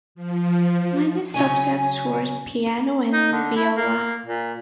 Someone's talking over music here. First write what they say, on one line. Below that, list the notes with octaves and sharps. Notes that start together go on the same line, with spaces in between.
Minor subjects were piano and viola.
F3
C#3 F#3 C#4 G#5
D#4
D3
E4
A#3
A#2